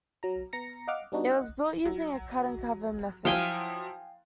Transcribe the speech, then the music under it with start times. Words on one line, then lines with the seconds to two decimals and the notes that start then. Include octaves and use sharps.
It was built using a cut-and cover method.
0.23 F#3 A#5
0.53 B3 A#5 A#6 C#7
0.88 D#5 F5 F#5 D6 F6
1.12 G3 B3 D4 D#4 F#4
1.31 D#5 F#5
1.86 F#3
3.25 F3 F#3 E4 F5 G5 G#5